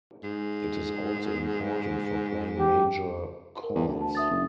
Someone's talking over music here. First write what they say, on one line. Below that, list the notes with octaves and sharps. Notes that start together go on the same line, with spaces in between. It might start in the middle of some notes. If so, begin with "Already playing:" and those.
It is also important for playing major chords.
G#2
G4
A#4
E2
D2
A5
E5 D#6 A6
F#1